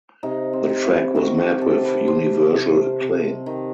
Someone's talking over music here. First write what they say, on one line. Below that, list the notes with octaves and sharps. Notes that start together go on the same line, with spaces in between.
The track was met with universal acclaim.
C3 D#4
C4
C3
E4
D#3 F#4
G4
C3 A4
B4
C3 C5
C3
C3
D#3